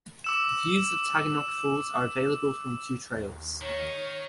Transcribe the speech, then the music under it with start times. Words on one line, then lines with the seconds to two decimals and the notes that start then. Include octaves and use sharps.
Views of Taughannock Falls are available from two trails.
0.24 D6 E6 E7
3.15 D#2
3.61 D#3 C#5